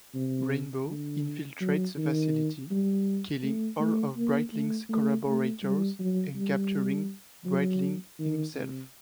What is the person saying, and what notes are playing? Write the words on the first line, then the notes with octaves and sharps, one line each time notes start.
Rainbow infiltrates the facility, killing all of Brightling's collaborators and capturing Brightling himself.
C3
D3
F#3
D#3
G3
A3
A3
A#3
A3
A3
A3
G3
F#3
G3
F#3
D#3
C3